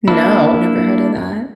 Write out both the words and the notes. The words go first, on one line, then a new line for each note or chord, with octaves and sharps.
No, never heard of that.
A#3 D4 E4